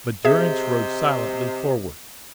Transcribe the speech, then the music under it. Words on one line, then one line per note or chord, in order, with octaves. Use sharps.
But Durrance rode silently forward.
C3 G#4 D#5 E5